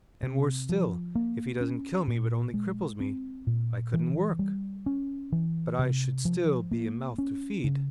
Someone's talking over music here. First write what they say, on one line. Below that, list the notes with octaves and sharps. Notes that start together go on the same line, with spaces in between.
And worse still, if he doesn't kill me but only cripples me: I couldn't work, but I should still be a mouth to feed.
C3
F3
A#3
C#4
A#2
G#3
C4
A#2
E3
G3
C#4
E3
C3
F3
A#3
C#4
C#3